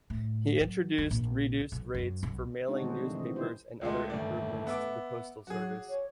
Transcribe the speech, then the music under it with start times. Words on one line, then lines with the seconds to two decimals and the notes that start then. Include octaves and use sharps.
He introduced reduced rates for mailing newspapers and other improvements to the postal service.
0.10 A2
0.60 F#3
0.98 F#2
1.11 A#1
1.72 B1
1.95 F#2
2.23 B1
2.68 G#3 C4 D4 D#4 F#4 C#5
2.82 D3 D#3 G3 G#3 F#4 C5
2.96 F3 A3 C4
3.11 C3 D#3 E3 G#3 D#5
3.36 C#3 B3 E4 G4 C5
3.81 C#2 G#3 A3 F4
4.10 G1 D#2 A3 D5
4.67 B3 E5 D6
5.47 F#3 F#4 G#4
5.89 C#5